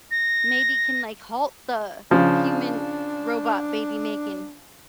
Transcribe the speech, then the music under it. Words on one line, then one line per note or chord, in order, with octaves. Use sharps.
maybe can, like, halt the human robot baby making,"
A#6
C#3 F3 D4